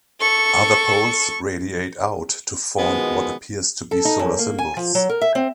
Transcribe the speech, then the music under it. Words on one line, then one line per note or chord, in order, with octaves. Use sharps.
Other poles radiate out to form what appears to be solar symbols.
A4 C#6
B2 D#3 F3 G#3 B3
A4
D#4
F#2
A#3
G#5
F3
F#3
A#4
E5
C4